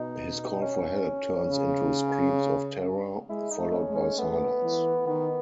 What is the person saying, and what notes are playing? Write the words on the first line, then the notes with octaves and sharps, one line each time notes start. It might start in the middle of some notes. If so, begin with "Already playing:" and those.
His call for help turns into screams of terror, followed by silence.
Already playing: B2 D#4
C#4
C#3
G#3 E4
D#4
A3
C#4
G#3
C#4
A3 B3
E3
D#3 B3